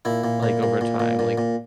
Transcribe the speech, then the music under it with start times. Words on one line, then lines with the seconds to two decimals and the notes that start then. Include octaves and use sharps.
Like, over time, like,
0.05 A#2 E4
0.24 A#2
0.43 A#2
0.63 A#2
0.81 A#2
1.00 A#2
1.19 A#2
1.38 A#2